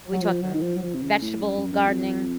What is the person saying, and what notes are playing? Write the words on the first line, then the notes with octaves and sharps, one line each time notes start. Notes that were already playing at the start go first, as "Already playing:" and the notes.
are we talking vegetable gardening?
F#3
F3
F#3
D#3
F3
F#3
F3
C3
C#3
A2
F#2
F#2
F#2
F2